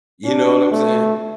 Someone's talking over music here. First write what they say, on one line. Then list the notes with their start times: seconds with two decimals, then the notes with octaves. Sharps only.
you know what I'm saying?
0.25 D4
0.72 A3